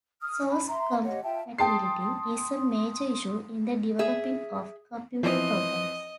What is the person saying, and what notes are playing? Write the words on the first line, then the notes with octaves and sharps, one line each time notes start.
Source compatibility is a major issue in the developing of computer programs.
D#6 F6
B5
E5 A#5 C6
G4 C#5 D#5 F#5
F4 E5 G5 A5
G5 A5 C6 D#6 C7
G#4 E5
E3 F3 C4 D#5